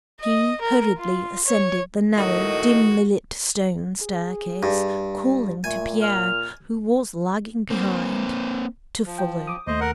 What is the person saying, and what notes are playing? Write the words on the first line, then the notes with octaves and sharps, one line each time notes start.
She hurriedly ascended the narrow dimly lit stone staircase, calling to Pierre, who was lagging behind, to follow.
D#5
A#4
F4
C#5
A2 D#3 F#4 D#5
G#4
G2
A#2 A3 G#5
F6
A#3 C4
F3
G5
D6 D#6
D#2 A3 C5 D#5
A#4 F#5